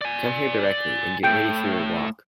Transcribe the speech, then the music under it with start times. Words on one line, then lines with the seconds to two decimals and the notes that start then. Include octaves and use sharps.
Come here directly, and get ready for your walk!
0.01 D5 G#5
1.23 A2 A3 G5 G6 D7